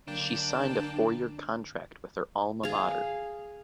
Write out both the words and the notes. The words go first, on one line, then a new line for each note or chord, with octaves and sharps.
She signed a four-year contract with her alma mater.
D3 F#3 A#3 D4 G5 A5
G#4 F5